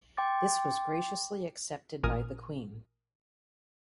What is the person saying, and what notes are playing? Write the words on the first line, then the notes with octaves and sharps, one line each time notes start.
This was graciously accepted by the Queen.
G5 C6 D6 A6
A1 A#2 A#4 G#5 D#6 F6